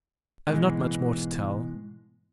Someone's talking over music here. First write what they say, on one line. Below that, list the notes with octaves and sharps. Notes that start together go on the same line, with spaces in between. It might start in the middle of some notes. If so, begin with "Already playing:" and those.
I have not much more to tell.
G#2 B2 E3 G#3